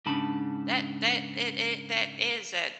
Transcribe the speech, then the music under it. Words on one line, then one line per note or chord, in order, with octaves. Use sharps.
That that it it that is that
G#2 C#3 D4 A5 B5